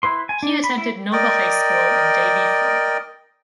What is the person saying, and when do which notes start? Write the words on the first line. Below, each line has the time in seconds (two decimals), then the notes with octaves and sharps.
He attended Nova High School in Davie, Florida.
0.03 E4 B4 C6
0.29 G#5
0.43 D4
0.64 B5
0.78 E4
1.13 A#4 D5 D#5 G5